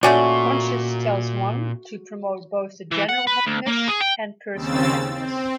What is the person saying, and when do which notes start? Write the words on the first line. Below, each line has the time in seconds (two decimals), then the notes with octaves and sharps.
Conscience tells one to promote both the general happiness and personal happiness.
0.03 A#2 A3 C#4 F#4 D5
2.92 E3
3.09 F#5
3.27 B4
3.46 D2
3.66 A#3
3.88 G#4
4.01 G5
4.53 D#2 C#3 C4 E6 A6
5.12 C4